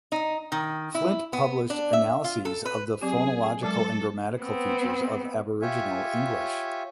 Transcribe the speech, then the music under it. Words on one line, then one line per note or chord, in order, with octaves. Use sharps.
Flint published analyses of the phonological and grammatical features of Aboriginal English.
D#4
D#3
E4
B3
D4
E5
F4
A4
B4
F#3 C4 G4 G#4
F#3 G#3 A4 D6
B3 C4
F4 G4 C#5 E5 G#5